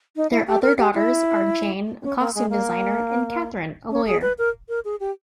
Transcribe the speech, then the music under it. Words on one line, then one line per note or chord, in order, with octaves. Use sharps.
Their other daughters are Jane, a costume designer, and Catherine, a lawyer.
D#4
E4
G4
A#4
G4
E4
C#4
A#3
G#3
A#3
C#4
G#4
B4
A#4
A#4
G#4
G4